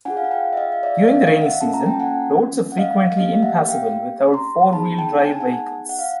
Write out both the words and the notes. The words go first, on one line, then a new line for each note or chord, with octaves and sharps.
During the rainy season, roads are frequently impassable without four-wheel drive vehicles.
D4 F4 G#4 F#5 G#5
F5
F#5
F5 G5
E5
D#5 F5
F5
D5 E5
D#5 F5
D#5 F5
E5 F#5
A#3 C#4 F4 A4 A5
A#5
G5 A5
F#5 G#5
F#5
D#5 F5
A#3 D4 G4 D#5 F5
E5 F#5
F5 G5
A#5 C6
B3 D#4 G#4 A5 B5
G5 A5
G#5
A5
F#5 G#5
F#5
F5